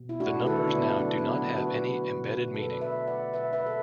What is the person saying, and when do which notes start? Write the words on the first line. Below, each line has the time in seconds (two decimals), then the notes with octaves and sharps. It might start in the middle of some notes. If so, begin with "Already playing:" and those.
The numbers now do not have any embedded meaning.
Already playing: B2
0.09 E4
0.20 A3 D4 F#4
0.42 B4
0.46 E4 A4
0.59 D3
0.67 D4
0.73 B3 E4
0.90 E4
0.99 F#3 D4
1.18 B3
1.37 D3 D4
1.57 F#4 B4
1.77 B2
2.16 B2
2.54 B2 A4
2.63 B4
2.72 D5
2.81 B4 E5
2.94 A3
3.07 D5 F#5
3.33 B2 B4 E5
3.53 B4 E5
3.66 A4